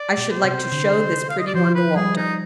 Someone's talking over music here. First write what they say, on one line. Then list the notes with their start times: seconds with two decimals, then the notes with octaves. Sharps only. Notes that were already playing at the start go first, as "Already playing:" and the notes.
I should like to show this pretty one to Walter.
Already playing: D5
0.17 B2
0.31 C5
0.44 C3
0.72 D3
1.30 F5
1.39 D#5
1.47 D5
1.54 F3 C5
1.75 B4
1.96 G3 G#4
2.16 D#4